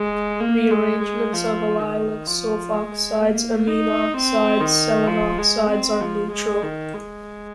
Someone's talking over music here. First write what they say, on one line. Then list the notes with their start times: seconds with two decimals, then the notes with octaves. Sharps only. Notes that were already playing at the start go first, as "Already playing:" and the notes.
Rearrangements of allylic sulfoxides, amine oxides, selenoxides are neutral.
Already playing: G#3
0.40 A#3
0.71 G#3
1.02 G#3
1.33 F3
1.80 D#3
2.27 F3
2.73 G#3
3.20 A#3
3.67 D#4
4.14 C4
4.60 D#3
5.07 F3
5.38 G#3
5.69 C4
6.00 F3
6.31 G#3
6.63 D#3
6.94 G#3